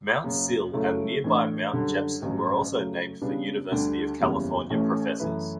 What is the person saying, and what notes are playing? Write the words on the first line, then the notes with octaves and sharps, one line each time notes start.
Mount Sill and nearby Mount Jepson were also named for University of California professors.
F#1 F#2 C#3
C#3 F#3 A3 E4 A4
A2 E3 A3 D4 A4
F#2 D3 G3
A1 G2 F#3 C#4
C#3 F#3 A3
C#3 G3 B3 D4
D2 D3 G3 D4 G4
F#1 E2 C#3 E3 G3
A1 A2 E3 A3 C#4
F#2 E3 A3 E4 B4